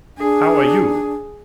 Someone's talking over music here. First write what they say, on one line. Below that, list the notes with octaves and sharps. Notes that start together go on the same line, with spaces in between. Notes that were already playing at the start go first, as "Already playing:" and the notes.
How are you!
D4 G#4